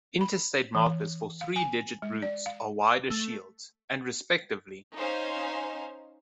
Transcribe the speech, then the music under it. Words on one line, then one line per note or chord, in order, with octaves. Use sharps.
Interstate markers for three-digit routes are wider shields, and respectively.
B5
E3
F5
G#5
G#3
D5
F5
A3
C#4 D#4 C5 F5 G#5